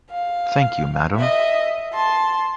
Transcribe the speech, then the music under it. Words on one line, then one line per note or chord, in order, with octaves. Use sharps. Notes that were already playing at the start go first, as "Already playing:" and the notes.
Thank you, madam.
F5
D#5 E5
A5 C6